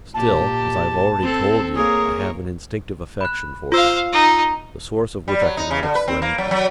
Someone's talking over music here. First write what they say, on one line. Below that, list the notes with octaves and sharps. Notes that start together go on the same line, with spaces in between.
Still, as I have already told you I have an instinctive affection for him, the source of which I cannot explain to you.
A#2 G4 A5
C4 A4
A#3 G#4 A#4 C#5
B5 F#6
F4 C5 F5 E6
D#4
G3
F#3
D#4
C#3
D3
B4
C4
A#3
F#3
F#3